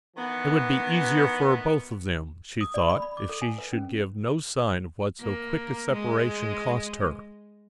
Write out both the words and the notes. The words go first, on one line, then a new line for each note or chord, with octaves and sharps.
It would be easier for both of them, she thought, if she should give no sign of what so quick a separation cost her.
D#3 E3 B3
D#6
D5
B5
B5
D6
A4
G#5
B4
C#4
A#3
G#3